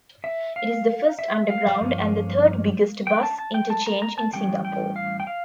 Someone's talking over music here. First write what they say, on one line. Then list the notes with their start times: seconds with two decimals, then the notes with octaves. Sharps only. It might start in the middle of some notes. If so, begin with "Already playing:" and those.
It is the first underground and the third biggest bus interchange in Singapore.
0.24 E5
0.56 F5
1.19 E5
1.50 F5
1.81 G2 F3 A#3 C#4
3.07 G5
3.23 A5
3.39 A5
3.54 G5
3.70 A5
3.86 A#5
4.02 A#5
4.18 A5
4.33 A2 E3 G3 C#4 G5
4.65 G5
4.96 F5
5.20 G5
5.27 F5